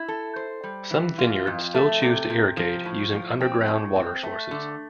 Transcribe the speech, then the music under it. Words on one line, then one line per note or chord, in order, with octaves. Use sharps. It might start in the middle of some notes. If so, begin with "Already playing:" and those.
Some vineyard still choose to irrigate using underground water sources.
Already playing: E4
A4
C5
G3
E3
F4
F2
A3
C3
C3
F3
A2
F3
C4
A2
C4
A3
D3